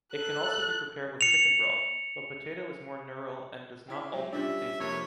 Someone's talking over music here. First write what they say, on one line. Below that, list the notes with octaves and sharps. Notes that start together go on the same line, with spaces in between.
It can also be prepared with chicken broth, but potato is more neural and does not alter the taste of it.
A4 F#6
C#7 F7
C#3 E4 G5 B6
F#3 G#3 G4
G3 C#4 D4 F4 G4 D5 E5
F2 C3 A#3 C#5